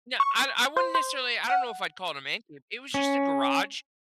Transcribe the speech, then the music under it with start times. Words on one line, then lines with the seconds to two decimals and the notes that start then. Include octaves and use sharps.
No, I I wouldn't necessarily I don't know if I'd call it a "man cave." It was, just, a garage.
0.20 C#6
0.77 C5
0.95 C5
1.50 F#5
2.94 C#4